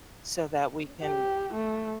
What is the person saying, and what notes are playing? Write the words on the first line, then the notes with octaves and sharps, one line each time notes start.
so that we can,
G4
A3